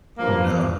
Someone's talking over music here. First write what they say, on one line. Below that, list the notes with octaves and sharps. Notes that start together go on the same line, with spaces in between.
Oh, no.
G2 F3 A#3